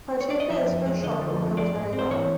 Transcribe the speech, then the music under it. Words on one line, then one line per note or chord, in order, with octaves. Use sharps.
Tartuffe is at first shocked but recovers very well.
C#5
D5
D#5
F3 E5
F2
G#3
D3 D#5
F3
F2
G#3 D5
G#2
C4
C5
E3 C#5